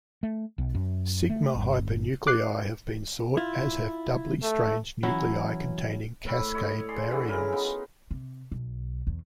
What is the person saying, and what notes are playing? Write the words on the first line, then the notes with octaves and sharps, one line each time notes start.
Sigma hypernuclei have been sought, as have doubly-strange nuclei containing Cascade baryons.
A3
B1
F#2
A3
G1
D6 F#6 C7
E4 F4
A3
E3 F#3 C#4 E4
A2 B5 C#6
E4 C#5 D#5
G#4 D5 C6
D3 E3 E4 F#4
C#3 A#4
B3 D#4 F4
C3
B1
E2